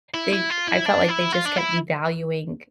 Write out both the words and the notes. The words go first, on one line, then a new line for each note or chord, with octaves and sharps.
they I felt like they just kept devaluing
E4
E4
F4
E4
D4
E4
F4
D4
E4